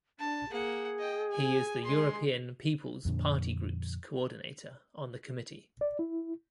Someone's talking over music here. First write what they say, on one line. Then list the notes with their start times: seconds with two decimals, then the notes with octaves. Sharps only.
He is the European People's Party Group's coordinator on the committee.
0.19 D4 A5
0.50 A#3 G#4 F#5
0.99 D#5 G5
1.31 G#5
1.84 G#3 C6
3.05 F2 A#2 D3
5.81 D5
5.99 E4